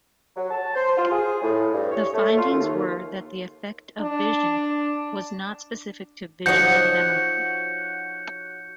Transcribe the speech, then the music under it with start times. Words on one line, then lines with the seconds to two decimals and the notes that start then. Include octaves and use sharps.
The findings were that the effect of vision was not specific to visual memory.
0.36 F#3
0.51 A5
0.74 C5
0.97 F4
1.11 G#4
1.42 A2
1.72 G2
1.91 C#5
2.12 A3
2.37 F4
2.52 D#2
4.01 D4
6.46 F3 D#4 F#4 C#5 F#5 G6 C#7